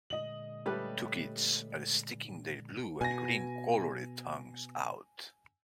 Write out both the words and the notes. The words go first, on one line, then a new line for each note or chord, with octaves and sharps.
Two kids are sticking their blue and green colored tongues out.
A#2 D3 G#3 D#5 F#7
G3 A3 C#4 G4 B4
B2 G#5 A#6